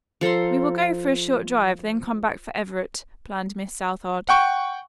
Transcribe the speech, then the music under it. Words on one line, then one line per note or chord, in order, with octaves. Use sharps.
"We will go for a short drive, then come back for Everett," planned Miss Southard.
F3 A4 A#5 C6
F#5 G5 C#6